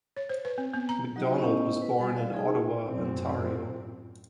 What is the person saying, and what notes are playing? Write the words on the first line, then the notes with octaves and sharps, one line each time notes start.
Macdonald was born in Ottawa, Ontario.
C#5
C5
B4
C4
B3
A#5
F#3 D#4 F#4 D#5
B3 C#4 E4 G4 C5 D#5
B4
G3 G#5
D5 F5
D#4 G#4
F#2 A2 C4